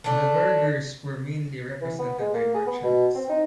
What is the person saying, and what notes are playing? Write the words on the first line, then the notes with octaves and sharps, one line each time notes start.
The burghers were mainly represented by merchants.
A3 D4
E3
B3
G#3
A#3
G#4
B3
B2
C4
D#4